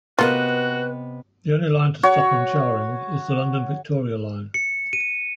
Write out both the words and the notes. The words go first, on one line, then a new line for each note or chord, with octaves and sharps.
The only line to stop in Charing is the London Victoria line.
C3 A#3 B3 F4 F#4 B4 D#5
F#4 C#5
C#7
D#7